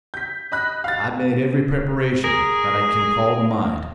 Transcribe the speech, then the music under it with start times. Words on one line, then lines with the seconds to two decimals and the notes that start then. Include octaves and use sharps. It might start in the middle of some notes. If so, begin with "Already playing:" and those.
"I've made every preparation that I can call to mind."
0.14 G6 B6
0.52 D#5 B5 F#6
0.84 F5 A6
2.24 G#4 A#4